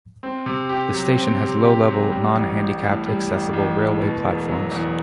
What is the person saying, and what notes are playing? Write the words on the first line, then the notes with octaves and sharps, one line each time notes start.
The station has low-level, non-handicapped accessible, railway platforms.
C4
C3
G4
F#3
C4
C3
G4
F#3
G3
A1
A1
A2
G3
A1
A1
A2
B2
E1
F#3
E2